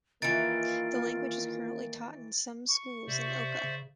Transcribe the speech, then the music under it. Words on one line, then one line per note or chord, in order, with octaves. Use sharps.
The language is currently taught in some schools in Oka.
D#3 E3 A#3 F4 A6 D7
C#6
C3 C5 D5 E5
C#3